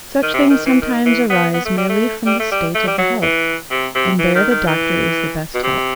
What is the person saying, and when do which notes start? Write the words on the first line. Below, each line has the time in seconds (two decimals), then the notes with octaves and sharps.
"Such things sometimes arise merely from the state of the health, and there the doctor is the best help."
0.23 D#3
0.34 C3
0.50 D#3
0.66 E3
0.82 D#3
1.05 E3
1.30 B3
1.54 B3
1.65 A3
1.77 G3
1.89 A3
2.26 G3
2.39 A3
2.52 G3
2.75 A3
2.87 G3
2.98 F#3
3.22 E3
3.70 C3
3.95 C3
4.19 E3
4.35 D#3
4.51 D#3
4.67 E3
5.54 B2
5.63 C3